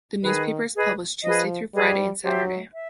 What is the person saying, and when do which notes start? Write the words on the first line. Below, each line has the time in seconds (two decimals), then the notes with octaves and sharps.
The newspaper is published Tuesday through Friday and Saturday.
0.24 D#3 G#4 B4 D#5
0.75 G#4 B4 D#5
1.24 F3 G#4 B4 D#5
1.74 G3 G#4 B4 D#5
2.24 F#3 G4 C5 E5
2.74 E5